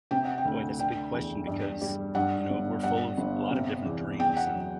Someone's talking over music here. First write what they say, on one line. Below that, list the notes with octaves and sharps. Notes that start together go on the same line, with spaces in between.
Boy, that's a big question because, you know, we're full of a lot of different dreams and,
C3 G5
F#5
G5
D2
D3 G5
E2
G2
G3
G2 F#5
G1
G2 F#5
G1
C3
E2
E2 G5
F#5
F#3